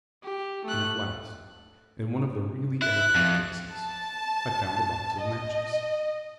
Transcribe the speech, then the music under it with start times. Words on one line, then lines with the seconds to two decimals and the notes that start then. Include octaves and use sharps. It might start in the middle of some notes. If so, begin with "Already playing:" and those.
And at last, in one of the really air-tight cases, I found a box of matches.
0.24 G4
0.65 A3 F#6
2.82 E4 F#6
3.15 F2
3.74 A5
5.21 D#5